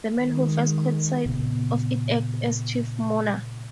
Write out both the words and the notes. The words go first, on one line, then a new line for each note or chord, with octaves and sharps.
The man who first caught sight of it acts as chief mourner.
D#3 G#3
A#2 C#3 B3